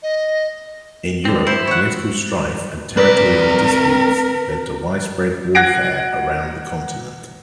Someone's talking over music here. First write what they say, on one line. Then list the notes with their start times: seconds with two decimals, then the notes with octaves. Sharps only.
In Europe, political strife and territorial disputes led to widespread warfare around the continent.
0.03 D#5
1.25 D3 C4
1.47 E4 C5
1.67 C#5 F#5
2.97 C4 A#4 B4 D5 B6
5.55 F#5 F#6 G#6 A#6 C7 D7